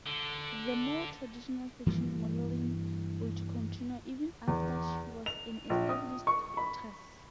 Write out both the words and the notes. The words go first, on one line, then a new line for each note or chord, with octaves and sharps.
The more traditional fashion modeling would continue even after she was an established actress.
D3
G2 E3 G3 A#3
E2
F7
A#1
D#6
C#6
B5